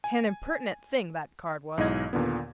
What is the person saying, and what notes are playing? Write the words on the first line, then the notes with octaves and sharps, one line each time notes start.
An impertinent thing, that card was.
G#5
B1 G#2 E4 D#5 G#6
D#2 A#2 D3 B3